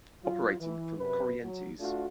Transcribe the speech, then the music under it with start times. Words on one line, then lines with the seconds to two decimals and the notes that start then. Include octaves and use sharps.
Operating from Corrientes.
0.24 F#3 F4
0.60 E3
0.99 F#2 C3 B4
1.43 F#3
1.79 A3 D4 F4 F#4